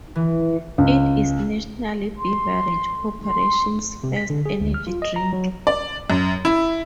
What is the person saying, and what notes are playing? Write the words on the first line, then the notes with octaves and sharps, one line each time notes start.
It is National Beverage Corporation's first energy drink.
E3
C#2
C6
C6
C3
B6
D3
G#4
D2
F6
F4
D#5
A#5
F#3
D5
F#2
E4